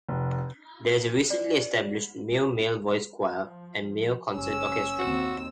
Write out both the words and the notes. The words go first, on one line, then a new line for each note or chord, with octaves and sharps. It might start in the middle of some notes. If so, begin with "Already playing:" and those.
There is a recently established Mayo male voice choir and Mayo Concert Orchestra.
F1
D5
F3
F#1 C#4 E6
D#2 C4 F#4